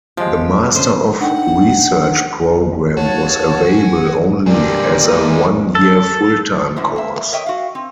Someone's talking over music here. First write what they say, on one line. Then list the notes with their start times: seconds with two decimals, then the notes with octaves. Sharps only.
The Master of Research programme was available only as a one-year full-time course.
0.17 F3 G#3 G4
0.75 D3 C#4 C5
1.21 D4 D#4 F#5 G5
2.97 D#2 F#4 C#5 A5
3.62 G#5
4.46 G2 A#2 D3 G4 A#4 D5
5.08 E3 G3 G#3 A#3 D#4
5.75 A4
6.76 F#2 A2 D3 F#3 E4
6.96 A#3 E5
7.32 A#4 C#5 D#5 E5 G5
7.46 F#4 F5
7.75 C4